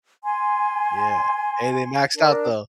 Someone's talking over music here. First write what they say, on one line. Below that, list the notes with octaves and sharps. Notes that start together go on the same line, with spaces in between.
Yeah, and they maxed out, though.
G#5 C6
D4 A#4